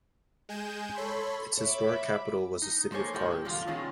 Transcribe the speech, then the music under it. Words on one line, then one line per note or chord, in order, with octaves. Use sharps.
Its historic capital was the city of Kars.
G#3 G#5 G6 E7
A4 C#5 B5 C6
C#5 E5 B5 D6
D#4
G#3 A#3 A4 C5 C#5 G#5
A#2 G#3 G4 A4
F2 A#2 D3 F3 F4
B2 D#3 G#3 C#4 F4 G#4